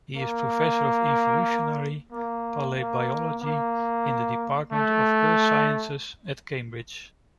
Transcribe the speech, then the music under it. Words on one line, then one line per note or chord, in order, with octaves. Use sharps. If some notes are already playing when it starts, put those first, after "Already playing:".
He is professor of evolutionary palaeobiology in the Department of Earth Sciences at Cambridge.
A#3
A#3
A#3
A#3
A3